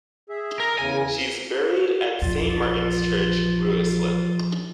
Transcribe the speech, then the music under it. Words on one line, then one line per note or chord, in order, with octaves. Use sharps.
She is buried at Saint Martin's Church, Ruislip.
G#4 E5
A#4
E2 C#3 G#5
A#1 E2 F3 F4